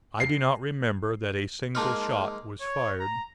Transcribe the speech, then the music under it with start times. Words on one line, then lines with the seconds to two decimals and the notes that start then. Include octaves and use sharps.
I do not remember that a single shot was fired.
0.20 C7
1.75 G#3 A#3 D#4 A5 C6 F6
2.61 C#5
3.00 A#5